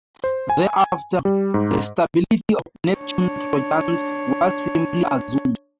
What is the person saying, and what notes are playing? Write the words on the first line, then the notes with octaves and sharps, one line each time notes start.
Thereafter, the stability of Neptune trojans was simply assumed.
C5
G#5
G3
G#2
D4 C#5